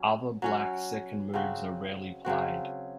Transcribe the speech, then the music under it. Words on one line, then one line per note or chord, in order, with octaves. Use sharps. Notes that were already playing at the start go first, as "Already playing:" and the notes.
Other Black second moves are rarely played.
Already playing: F#3 C#4
F#3 C#4 F#4
C#3 F#3 C4 F#4
C#3 F#3 C4 F#4